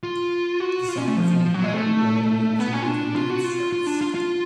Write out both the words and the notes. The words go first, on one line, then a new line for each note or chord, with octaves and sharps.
The song performed moderately well on the alternative and dance charts.
F4
F#4
F4
C#4
A3
F3
F3
F#3
G#3
A3
B3
C#4
F4
D4
F4
F#4
F4
F4
D4
F4
F4